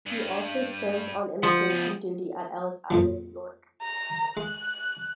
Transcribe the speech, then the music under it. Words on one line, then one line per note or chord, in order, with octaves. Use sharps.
He also served on immigration duty at Ellis Island, New York.
G2
F3 F#5
C#3 B3
F2 A#2 F#3
A#5
G#3 F#6